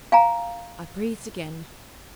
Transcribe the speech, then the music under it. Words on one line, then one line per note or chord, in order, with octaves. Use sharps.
I breathed again.
F5 G#5 A#5